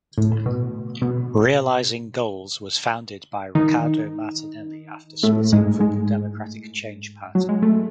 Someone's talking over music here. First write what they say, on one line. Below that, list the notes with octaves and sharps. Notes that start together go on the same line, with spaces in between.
Realizing Goals was founded by Ricardo Martinelli after splitting from the Democratic Change party.
A2
B2
B2
D#3 D#4
A2 A3
G#2 G#3
G#2 G#3
F#3
G#3
A3